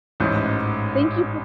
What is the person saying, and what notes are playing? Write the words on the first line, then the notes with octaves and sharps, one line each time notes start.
Thank you fo
A1 G#2 E3